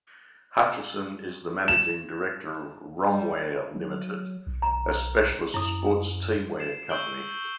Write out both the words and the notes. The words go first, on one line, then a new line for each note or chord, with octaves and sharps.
Hutchison is the Managing Director of Romwear Limited, a specialist sports teamwear company.
E7
G3
F#3
B1
A#5
F#2 E4 D#6
C7 E7
C#6 E6 G6 D7 F#7 G7